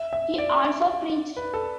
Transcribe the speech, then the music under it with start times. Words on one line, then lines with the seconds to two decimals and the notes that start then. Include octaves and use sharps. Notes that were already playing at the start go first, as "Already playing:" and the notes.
He also preached.
Already playing: E5
0.13 E5
0.38 D5
1.37 B4
1.54 A4